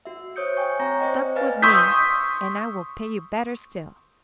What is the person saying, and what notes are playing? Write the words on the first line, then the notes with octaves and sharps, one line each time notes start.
Stop with me, and I will pay you better still.
F#4 E5
C5 C#5 D#6 G6 C#7
G5 G#5 C#6 G6
C4 C#5 A#5 C#6 G6 A#6
C5 D5 D#5 G5
B4 D5 F5 G#5 F6 A6
C6 C#6 D#6 E6 G6 B6